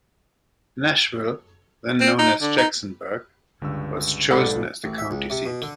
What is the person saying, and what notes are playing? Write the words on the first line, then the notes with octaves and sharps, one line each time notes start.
Nashville, then known as Jacksonburg, was chosen as the county seat.
C4
D#4
D3
D#4
C#2 G2 D3 E6
B1 G#2 G#3 A4 B4 D5 F#5
A1
E5
C#2
C3
B2
D3